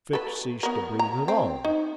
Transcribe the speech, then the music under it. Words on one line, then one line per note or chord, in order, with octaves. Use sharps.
Fix ceased to breathe at all.
A4 B4
B3 A#4
A#5
C4
D#4